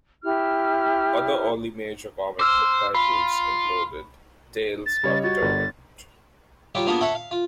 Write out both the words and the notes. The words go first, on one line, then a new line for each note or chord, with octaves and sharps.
Other early major comic book titles included "Tales of Toad".
E4 G4 F6
C5 D6 E6 F6
F4 B5
A6
C#3 G3 C#5 D#5
F#4 A6
G1
F#3 G3 F4 G4
A#3 B3 D4 F4 F#4 G#4
A4 C#5 E5 F#5
F5
F4